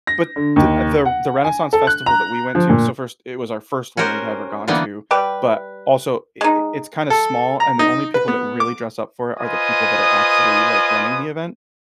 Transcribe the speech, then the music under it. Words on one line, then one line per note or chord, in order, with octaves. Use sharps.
but, the the the Renaissance Festival that we went to so, first, it was our first one we've ever gone to, but, also, i i it's kinda small, and the only people that really dress up for it are the people that are actually, like, running the event.
A#6
D3
D#2
F#5
G#5
A4
F#6
A#5
F3
A#2
C#4 F#4 G4 A#4 C5
D3 E3 G3 A#3 B3
G3 G4 B4
G#3 D#4
A4
A#5
D#4
B4
B3
D6
F4 B4 C5 D#5 G#5 D#6